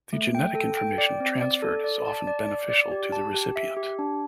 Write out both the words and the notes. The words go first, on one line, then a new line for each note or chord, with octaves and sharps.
The genetic information transferred is often beneficial to the recipient.
A3
G5
A4
G5
D5
C4
D5
A4
D5
A5
D5
D5
D5
G4
A5
G4
E5
G4
D4